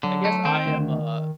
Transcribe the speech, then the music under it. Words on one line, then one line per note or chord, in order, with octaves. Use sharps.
I guess I am a
D3 F#3
A3
D#3 C4
D2